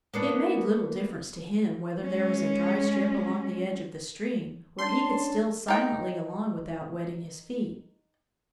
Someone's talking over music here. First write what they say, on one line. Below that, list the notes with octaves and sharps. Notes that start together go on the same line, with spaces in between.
It made little difference to him whether there was a dry strip along the edge of the stream, where he could steal silently along without wetting his feet.
A#3 B3 D4
G#3 C#4
C#4 D4 A5 C6
D#4 G5